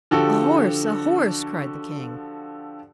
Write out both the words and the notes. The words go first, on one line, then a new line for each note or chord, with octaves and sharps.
'A horse! a horse!' cried the king.
D3 F3 F#4 G4 A4